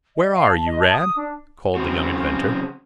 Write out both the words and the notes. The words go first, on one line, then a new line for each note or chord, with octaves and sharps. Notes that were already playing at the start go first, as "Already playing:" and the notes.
"Where are you, Rad?" called the young inventor.
D#5
F5
A5
D#5
A5
D#6
D4
C#3 F#3 C4 F#4